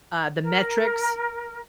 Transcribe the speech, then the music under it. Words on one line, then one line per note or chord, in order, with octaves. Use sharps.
uh, the metrics
A#4